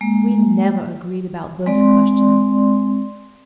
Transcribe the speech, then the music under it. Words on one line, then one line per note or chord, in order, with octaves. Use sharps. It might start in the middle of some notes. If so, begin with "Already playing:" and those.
We never agreed about those questions.
G#3 A#3
G#3 C4 D5 C6